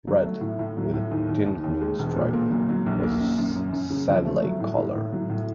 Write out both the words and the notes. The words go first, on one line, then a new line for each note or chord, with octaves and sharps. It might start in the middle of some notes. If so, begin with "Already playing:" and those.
Red, with a thin green stripe, was the Sedleigh color.
F#3
A3
A2
A2
F#3
A2
D#2
D#3
D#2
D#2
G#3
E1
A#2
A#3
F#3
F#3
A#1
A#3
F#2
F#2
F#2
F#2
C#3
F3
A3
F#3
A2
A2
A2
F#3
A2